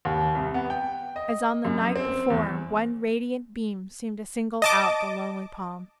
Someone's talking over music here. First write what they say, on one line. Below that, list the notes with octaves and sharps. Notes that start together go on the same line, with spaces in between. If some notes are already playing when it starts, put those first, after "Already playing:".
As on the night before, one radiant beam seemed to single out the lonely palm.
D#2
C2
B3
G5
D#5
F#2
C4
E2
D#5 A5 D6